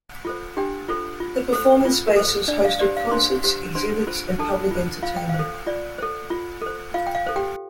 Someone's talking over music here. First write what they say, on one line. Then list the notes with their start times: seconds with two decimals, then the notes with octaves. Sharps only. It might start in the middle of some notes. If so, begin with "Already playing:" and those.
The performance spaces hosted concerts, exhibits, and public entertainment.
0.25 F4 A4 C5
0.57 D4 G4 G5
0.89 F4 A4 C5
1.20 F4
1.53 A4 C5
1.85 F4
2.16 A4 C5
2.48 D4 D5
2.65 F5
2.79 G4 C5 D5
2.97 F5
3.11 D4 C5 C6
3.44 G4 C5
3.75 D4 C5 C6
4.07 F4 C5
4.39 D4 A4 A5
4.71 F4 C5
5.03 F4 F5
5.17 G5
5.29 C5 F5
5.39 A4
5.67 F4 D5
5.98 A4 C5
6.30 F4
6.62 A4 C5
6.94 F4 F5
7.07 G5
7.15 F5
7.26 A4 C5
7.36 G4 G5